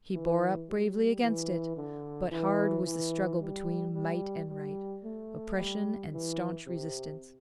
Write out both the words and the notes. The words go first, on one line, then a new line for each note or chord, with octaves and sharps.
He bore up bravely against it; but hard was the struggle between might and right, oppression and staunch resistance.
E3
G3
E3
D3
E3
E3
G3
G3
G3
A3
G3
E3
C3